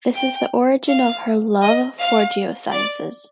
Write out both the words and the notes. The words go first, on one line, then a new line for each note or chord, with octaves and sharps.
This is the origin of her love for geosciences.
G5
F5
D#5
F5
D5